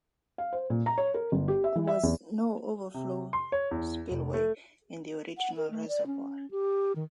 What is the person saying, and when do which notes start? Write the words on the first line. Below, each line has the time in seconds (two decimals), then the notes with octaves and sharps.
There was no overflow spillway in the original reservoir.
0.38 F5
0.53 C5
0.70 A#2
0.86 A#5
0.98 C#5
1.14 A#4
1.32 G1
1.48 G4
1.64 E5
1.75 E3
1.87 E5
2.03 E2
2.94 C3
3.33 C6
3.52 C#5
3.71 E2
4.11 F1
4.34 A3
5.37 F#5
5.57 A#4
5.71 A3
5.88 D5
6.07 C#4
6.51 G4
6.96 D#3